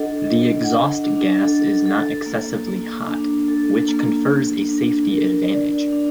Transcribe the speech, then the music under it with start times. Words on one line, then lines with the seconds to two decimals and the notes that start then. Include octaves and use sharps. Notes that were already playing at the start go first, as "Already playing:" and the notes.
The exhaust gas is not excessively hot, which confers a safety advantage.
Already playing: D4 A4 D#5 F#5
0.23 D#5
0.64 F#5
1.04 D4
1.45 A4
1.86 A4
2.26 A#3
2.67 A#3
3.08 D4
3.48 A4
3.88 A#3
4.29 A#3
4.70 D4
5.11 A#4
5.52 D5
5.92 D4